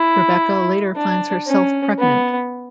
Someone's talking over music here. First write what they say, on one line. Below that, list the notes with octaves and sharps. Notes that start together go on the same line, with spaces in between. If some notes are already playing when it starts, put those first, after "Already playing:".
Rebecca later finds herself pregnant.
Already playing: E4
D4
C#4
B3